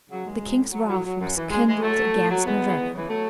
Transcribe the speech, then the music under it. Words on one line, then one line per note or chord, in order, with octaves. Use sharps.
The king's wrath was kindled against Noureddin.
C#3 F#3
D#2 G#3
C#3 F#3
A2
F#3
A2 F#3
F#3
F#2
E3
F#2 G#3
E3 G#3
A2 F#3 A3
F#3
A2
F#3
E2 G#3 B3
C#3 E3
E2
C#3 E3
F#3 A3